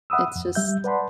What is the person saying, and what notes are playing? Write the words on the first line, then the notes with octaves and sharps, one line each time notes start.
it's just
E5 F#5 B5 D#6 E6
F2
G3 E5 G6
B4 D5 F#5 A5 B5 C6